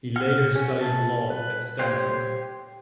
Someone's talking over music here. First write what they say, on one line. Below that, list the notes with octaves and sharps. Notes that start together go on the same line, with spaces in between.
He later studied law at Stanford.
F#5 F6
C#4
A4
B4
G4 C5 C#5